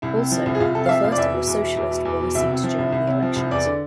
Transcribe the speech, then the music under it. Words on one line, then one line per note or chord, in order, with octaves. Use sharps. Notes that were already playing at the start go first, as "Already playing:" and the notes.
Also, the first-ever Socialist won a seat during the elections.
C2 E4
C3
F3
C2
G#4
C2 F4
C3 A4
F5
F3 E5
C2 F5
D5
E2 E5
B2
E2
B2
E2
B2
E2
B2
C2 E5
C3
F3
C2
C2
C3
F3
C2
E2 D5
D3